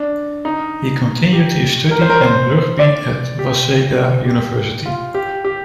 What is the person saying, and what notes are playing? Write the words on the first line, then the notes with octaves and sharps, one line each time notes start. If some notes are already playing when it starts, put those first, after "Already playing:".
He continued his study and rugby at Waseda University.
Already playing: D4
D#4
G4
A#4
C5
A#4
C5
D5
G4
G4
F4
G4
G4